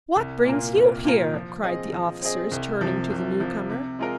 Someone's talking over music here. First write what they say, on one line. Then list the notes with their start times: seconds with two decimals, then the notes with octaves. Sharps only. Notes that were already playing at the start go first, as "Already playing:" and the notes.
"What brings you here?" cried the officers turning to the newcomer.
0.16 C2
0.45 A#2 A#3 F4 A#4
0.75 C2
1.04 A#2 A#3 F4 A#4
1.33 F3
1.63 C4 G#4 D#5
1.93 F3
2.22 C4 G#4 D#5
2.51 C2
2.81 C3 F3
3.10 C2
3.40 C3 F3
3.70 C3
3.99 G#3 F4 A#4